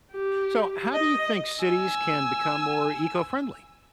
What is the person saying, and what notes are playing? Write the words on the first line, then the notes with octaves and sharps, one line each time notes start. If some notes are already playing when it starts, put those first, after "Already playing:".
So how do you think cities can become more eco-friendly?
G4
D#5
G#5 E6